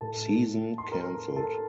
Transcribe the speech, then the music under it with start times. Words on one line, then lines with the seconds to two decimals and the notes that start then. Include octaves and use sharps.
Season canceled.
0.01 A2 A4 A5
0.78 C6
0.92 A#4 A#5
1.36 A4 A5